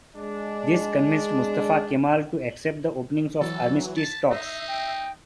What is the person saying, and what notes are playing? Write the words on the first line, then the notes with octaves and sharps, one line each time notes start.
This convinced Mustafa Kemal to accept the opening of armistice talks.
G#3 D4
E3 F#3 A4
A5 B6
D#4 E5 A#6 C7
G5